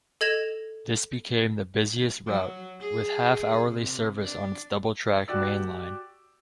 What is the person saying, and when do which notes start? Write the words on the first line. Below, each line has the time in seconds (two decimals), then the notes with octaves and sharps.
This became the busiest route, with half-hourly service on its double-track main line.
0.21 A4 D#5 G#6 A#6 E7 F7
2.26 F#3
2.80 G#4
3.69 C3
4.22 D4
5.28 F#4 G4 D5 E6